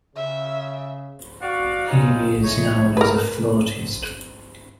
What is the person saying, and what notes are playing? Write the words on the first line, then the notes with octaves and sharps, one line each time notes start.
He is known as a flautist.
C#3 E5
F#4 D5 F5
G3 G#3 A#3 C#4 D#4
D#4 E4 G#4 C#5
A#4 B4